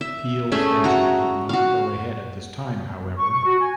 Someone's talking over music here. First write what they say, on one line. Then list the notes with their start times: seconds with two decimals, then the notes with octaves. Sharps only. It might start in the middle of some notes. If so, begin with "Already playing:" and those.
Peel's venture did not go ahead at this time, however.
0.01 E5
0.52 A3 C#4 G#4 E5
0.84 F#4 A#5
1.49 F#4 F5
3.18 C#6
3.32 C#6
3.45 F#4
3.59 G#5